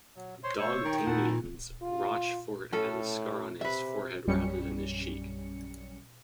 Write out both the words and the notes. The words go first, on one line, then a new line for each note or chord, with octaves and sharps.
"Dogtanian"s Rochefort has a scar on his forehead rather than his cheek.
F#3
C5 C#5 C6
A3 C5 C#5 C#6 E6
D#3 G5
A#2 D#4 E4 F#5 A5
F4
A2 C#4 A4
C3 B4 E5
A#1 F#2 G3 C#4 C#7